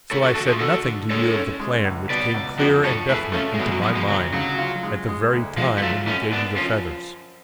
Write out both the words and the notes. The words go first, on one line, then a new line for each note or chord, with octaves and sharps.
So I said nothing to you of the plan which came clear and definite into my mind at the very time when you gave me the feathers.
D3 A4 C#5
F#4 A4
A3 F#4 A4
F4 G#4
D3 F#4 A4
D3
G#3 A4 C#5
C#4
G#3
C#2
B2 B4 D5
C#2
F2 D4 F#4
F2 A4 C#5
A3 G#4 B4
A3 C#4 F4
G#3
B2 F#3
G#3
F#3
B2 F3 G#3
F3 G#3
D2 F#3
C#3 F#3
F4
G#3
G#3
D2
F3 G#3 F4
B3
F#3 A3 F4
F#2 A3 C#4
F#2 B3 D4
F3 C#4 F4